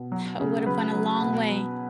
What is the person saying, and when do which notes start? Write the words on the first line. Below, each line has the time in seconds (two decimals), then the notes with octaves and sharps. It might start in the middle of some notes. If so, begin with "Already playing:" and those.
That would've went a long way.
Already playing: B2
0.12 F#3
0.40 C#3
0.66 F#3 B4
0.94 F#3
1.21 B2
1.48 F#3